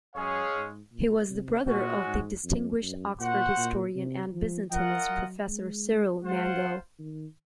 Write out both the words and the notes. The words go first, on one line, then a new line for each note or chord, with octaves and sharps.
He was the brother of the distinguished Oxford historian and Byzantinist Professor Cyril Mango.
F#2 G#3 C#4 G#4 C#5 F5
G#2
A#2
C3
A#2 G#3 C#4 F#4
G#2
F2
F#2
A#2 F#4 C5 F#5
A#2
C3
F3
F3 F4 A#4 D#5 F#5
F#3
G#3
G#3 F4 C5 F#5
D#3